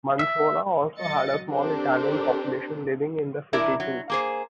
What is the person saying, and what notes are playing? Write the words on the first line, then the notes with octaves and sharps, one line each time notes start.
Mansoura also had a small Italian population living in the city too.
E5
F#3 D#5 A6 C#7
C4 D4 G4 A4 A#4 C5
D4 E4 A#4 D5
F#3
A#3 G#4 C5